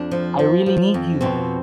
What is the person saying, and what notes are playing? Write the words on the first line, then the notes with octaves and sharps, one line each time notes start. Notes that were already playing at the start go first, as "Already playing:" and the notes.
I really need you.
Already playing: F2 D4
F3
F3
F3
F2
B2 C4